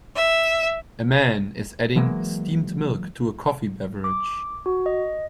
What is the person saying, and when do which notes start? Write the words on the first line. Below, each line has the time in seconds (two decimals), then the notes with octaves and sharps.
A man is adding steamed milk to a coffee beverage.
0.15 E5
1.96 E3 F#3 G#3 A#3
4.04 D6
4.66 F#4
4.86 D#5